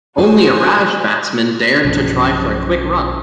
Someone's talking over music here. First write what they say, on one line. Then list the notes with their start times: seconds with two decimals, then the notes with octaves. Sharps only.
Only a rash batsman dared to try for a quick run.
0.18 F#4 G#4 C5 G#5
1.85 B1 G2 B2 F3 C#4